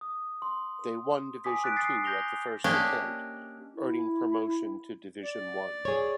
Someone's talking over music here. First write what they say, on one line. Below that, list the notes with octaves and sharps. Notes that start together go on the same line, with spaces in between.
They won Division Two at the first attempt, earning promotion to Division One.
D#6
C6
G#5 D6 D#6 B6
F#6 A6 B6 D7
D#6 A6 C7
G6 A#6 F7 G7
A#3 C#4 D4 G4 D#5
E4
D5
G#4 C#5